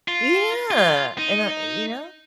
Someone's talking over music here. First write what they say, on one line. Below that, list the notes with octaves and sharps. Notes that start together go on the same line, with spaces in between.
Yeah, and I you know?
F4
F4
D#4